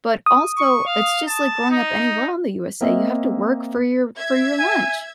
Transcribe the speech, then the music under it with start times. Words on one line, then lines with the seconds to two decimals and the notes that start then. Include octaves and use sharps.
but also, it's just like growing up anywhere on the USA, you have to work for your for your lunch.
0.26 D#6
0.57 C#6
0.86 F5
1.28 A5
1.70 D#4
2.81 A#3 C4 D#5 E5
4.17 E5 G#6
4.60 G#5